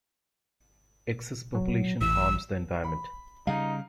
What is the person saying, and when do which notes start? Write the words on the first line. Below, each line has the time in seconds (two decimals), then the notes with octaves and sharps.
Excess population harms the environment.
1.55 F#3
2.01 A1 E6
2.84 B5
3.47 C#3 G3 D#4 F5